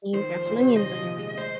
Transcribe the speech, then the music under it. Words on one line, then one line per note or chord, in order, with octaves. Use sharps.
"Can you grab some onions on your way home?"
D#3 C5
F3
A#2
C3
D#3 D#5
F3
G#3
G#3 C5